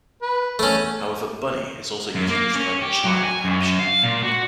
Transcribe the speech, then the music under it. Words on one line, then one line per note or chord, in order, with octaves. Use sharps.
However, 'bunny' is also used to describe a chine in Hampshire.
B4
E2 A3 C#4
F#2
A#3
C#4
G4
F#3
G#5
F#2
F5
A#2
F#4